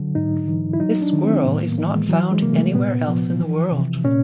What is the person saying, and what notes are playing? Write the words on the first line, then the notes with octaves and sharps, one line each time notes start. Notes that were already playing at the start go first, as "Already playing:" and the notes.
This squirrel is not found anywhere else in the world.
Already playing: D3 F#3
G#2 D#4
E3
E4
F#3 D#4
D4
D#3
C4
A2 B3
A#3
E3
G#3
E3 F#3
G#3
C3 A#3
A3
A#2 B3
F3
E3
C3
A#2 C#4